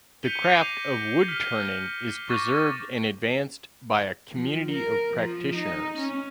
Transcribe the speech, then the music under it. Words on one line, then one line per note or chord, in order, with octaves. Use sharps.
The craft of woodturning is preserved and advanced by a community of practitioners.
G6 B6 C#7 D#7 F7 G7
D6 G6 A#6 C7 D#7 F7
F6 B6 G7
C#6 D6 A6 A#6
F3
A#4
F3
D#4
C#4